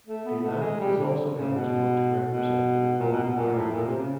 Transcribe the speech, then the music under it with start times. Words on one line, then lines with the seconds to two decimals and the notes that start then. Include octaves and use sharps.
Delap is also eligible to represent the Republic of Ireland.
0.07 A3
0.25 B3
0.43 A3
0.61 G#3
0.80 G3
0.97 D3
1.35 C#3
1.54 B2
2.26 B2
2.99 A#2
3.12 B2
3.24 B2
3.36 A#2
3.54 A2
3.72 A#2
3.86 C3
3.97 C#3